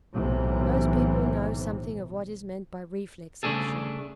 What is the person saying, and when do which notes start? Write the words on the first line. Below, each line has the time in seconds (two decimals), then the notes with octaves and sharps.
Most people know something of what is meant by reflex action.
0.14 B1 A2 C3 E3
3.43 C#3 G#3 A3 D4 G#4 A4